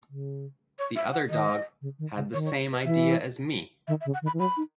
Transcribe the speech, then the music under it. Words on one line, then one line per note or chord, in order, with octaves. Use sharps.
The other dog had the same idea as me!
C#3
C#5
E5
F#5
D#3 D#5
C#3
D#3
C#3
D#3 C#5
C#5
B4
D#5
E3 E5
D#3 E5
E5
C#3
F#5
D#3
B5
E3
F#3 B5
D#4